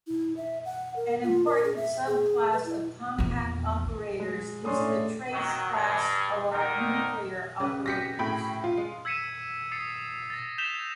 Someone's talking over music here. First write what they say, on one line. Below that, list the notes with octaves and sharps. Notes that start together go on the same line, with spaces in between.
An important subclass of compact operators is the trace-class or nuclear operators.
E4
E5
F#5
A#4
F4
A#4
G#4
E5
G#4
B4
E4
A#1 E2
G#3
A2 C#4 D4 C6 D#6
D#3 F#3
G2
D3 D#3 D#4 A#4
C#3 B4
F#4 G4 B4 A#6 B6 C#7
A2 G#4 G5 B5
F4
G#3
E6 G#6 B6 C#7 D#7 E7
D#6 A6 C7 C#7
A6 A#6
G6 B6 E7 F7 G7